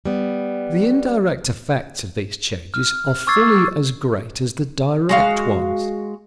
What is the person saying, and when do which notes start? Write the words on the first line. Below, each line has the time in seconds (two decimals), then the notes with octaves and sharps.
The indirect effects of these changes are fully as great as the direct ones.
0.06 G3 B3
2.74 F6
3.27 C#6 D6 E6 G#6 A6 C7
5.09 G#3 F#4 F5